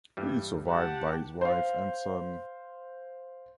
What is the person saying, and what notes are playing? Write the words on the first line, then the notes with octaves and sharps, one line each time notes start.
He is survived by his wife and son.
G2 E3 G3
G4 F#5 A5
C5 F5